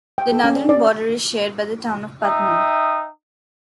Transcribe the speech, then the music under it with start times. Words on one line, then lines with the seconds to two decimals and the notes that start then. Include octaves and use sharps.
The northern border is shared by the town of Putnam.
0.18 G5
0.32 A4
0.44 C#4
0.56 D5
0.69 D5
2.23 D#4 E5 G5 D#6